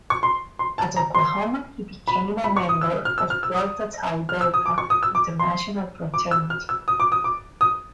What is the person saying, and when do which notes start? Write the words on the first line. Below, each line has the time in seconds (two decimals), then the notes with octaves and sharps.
At Oklahoma he became a member of Delta Tau Delta International Fraternity.
0.10 C#6
0.23 C6
0.59 C6
0.78 A5
0.97 A#5
1.15 C6
2.08 B5
2.44 B5
2.57 C#6
2.69 D#6
2.81 E6
3.05 F6
3.18 E6
3.30 F6
3.43 E6
3.55 D#6
4.29 F6
4.41 E6
4.54 D#6
4.66 D6
4.78 C#6
4.90 D#6
5.03 E6
5.15 D6
5.40 C6
6.14 D6
6.31 E6
6.50 F6
6.69 E6
6.88 D#6
7.00 D6
7.12 D#6
7.24 D6
7.61 D#6